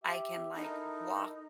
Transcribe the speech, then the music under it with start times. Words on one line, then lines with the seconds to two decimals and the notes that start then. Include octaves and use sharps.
I can, like, walk
0.04 G4 E5
0.55 D#4 E4 A4 A#4